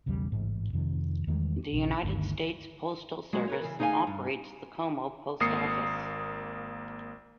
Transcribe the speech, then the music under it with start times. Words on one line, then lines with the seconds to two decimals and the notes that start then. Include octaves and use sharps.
The United States Postal Service operates the Como Post Office.
0.06 B1 E2 C#3 G3
0.32 A1 G#2
0.73 F2 C3 D#3 F3
1.27 E2 D#3 G3 G#3
1.73 A#1 C#3
2.03 G1 D2 D#3
3.33 F#3 G#3 F#4 D#5
3.48 A#4 B4 C#5
3.61 C#3 E3
3.79 D2 D#4 G#4 C5 F5 G#5
4.07 G2
5.40 G#1 A#3 D#6 C7 C#7